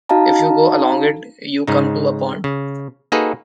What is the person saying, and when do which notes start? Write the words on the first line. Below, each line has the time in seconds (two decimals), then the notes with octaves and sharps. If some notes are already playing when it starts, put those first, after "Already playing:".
If you go along it, you come to a pond.
0.09 D#4 F#4 D#5 F5 A5 A#5
1.68 G#2 C#3 D#4
2.44 C#3
3.12 A#3 D#4 F#4 G#4 A4 B4